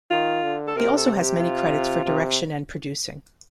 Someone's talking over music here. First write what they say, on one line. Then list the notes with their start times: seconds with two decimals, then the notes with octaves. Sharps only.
He also has many credits for direction and producing.
0.11 D#3 F4
0.44 D3
0.67 A4
0.76 C3 A#4
0.97 A4
1.18 G4
1.40 F4
2.05 C3